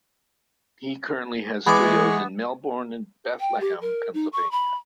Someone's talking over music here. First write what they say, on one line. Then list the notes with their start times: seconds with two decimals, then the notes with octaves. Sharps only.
He currently has studios in Melbourne and Bethlehem, Pennsylvania.
1.66 E3 G#3 B3 B5 C#6 D6
3.40 G5
3.60 G4
3.82 A#4
4.14 D#4
4.33 C#6
4.51 B5